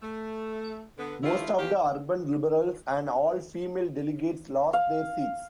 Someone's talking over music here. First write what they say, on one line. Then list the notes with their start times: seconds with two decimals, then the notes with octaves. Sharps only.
Most of the urban liberals and all female delegates lost their seats.
0.02 A3
0.98 D3 B3
1.23 F3 G3 A3 E4 F4
1.59 E2 F4 G4
4.73 F5